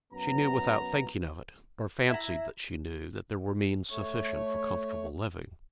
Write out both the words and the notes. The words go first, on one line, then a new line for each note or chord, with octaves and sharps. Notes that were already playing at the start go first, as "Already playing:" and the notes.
She knew without thinking of it,--or fancied that she knew, that there were means sufficient for comfortable living.
F#2 B3 A#5
E4 A#5
A3 C#5